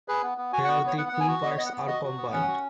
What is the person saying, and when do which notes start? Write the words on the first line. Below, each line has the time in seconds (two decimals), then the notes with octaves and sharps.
Here the two parts are combined.
0.08 G#4 B4
0.23 B3
0.38 B3
0.53 F#4 G#5
0.64 F#5
0.68 B3
0.83 B3 C#5
0.97 B3 F#5
1.09 B3 F#5
1.20 G#5
1.28 F#4
1.43 B3 D#5
1.51 C#5
1.58 B3 D#5
1.66 F#5
1.72 B3
1.88 F#4 D#5
2.03 F#4
2.18 B3
2.33 C#4 F#5
2.48 F#4